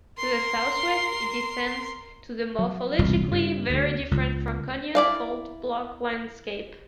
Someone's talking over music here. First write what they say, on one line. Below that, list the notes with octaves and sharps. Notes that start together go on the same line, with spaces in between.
To the southwest it descends to the morphologically very different Franconian fault-block landscape.
A#4 C6
F#3
E1 C2
G2 C#3
D2
C#2
E4 D5 F5